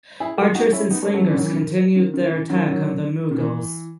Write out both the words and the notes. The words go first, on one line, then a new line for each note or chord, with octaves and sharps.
Archers and slingers continued their attack on the Mughals.
E4 G#4
F#4 A4
D#4 F#4
C#4 E4
B3 D#4
A3 C#4
F#3 A3
E3 G#3
D#3 F#3
E3
D#3
D#3
D#3
E3
D#3 F#3
D#3 F#3
D#3
E3